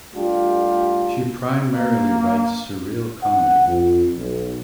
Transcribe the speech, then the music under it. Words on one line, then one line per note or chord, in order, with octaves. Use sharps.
She primarily writes surreal comedy.
G3 A3 D4 F4 G4
A#3
F#5
F2
B1